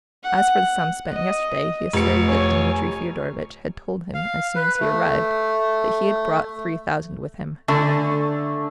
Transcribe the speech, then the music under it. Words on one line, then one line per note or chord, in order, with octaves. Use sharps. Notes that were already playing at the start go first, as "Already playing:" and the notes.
As for the sum spent yesterday he asserted that Dmitri Fyodorovitch had told him, as soon as he arrived, that he had brought three thousand with him.
F#5
D#5
F1 C#7
C#5 G#5
F5
B4
A3
D3 A3